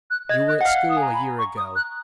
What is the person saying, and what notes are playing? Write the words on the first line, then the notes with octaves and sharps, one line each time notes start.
You were at school a year ago.
F#6
D#5 G#6
F#6
F#5
F5 F6
D#6
G#5
A#5
B5
C#6
D#6
F#6